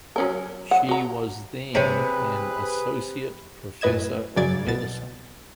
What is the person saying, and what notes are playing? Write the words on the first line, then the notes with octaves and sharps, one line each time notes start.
She was then an associate professor of medicine.
F#3 C#4 A#4
F#5
F#4 A#5
C3 C4 C#4 G#4 B4
F#2 A2 B4 D#5 G#6 E7
F#2 C#3 F#3 D5 G#6 A6
C2 B2 A6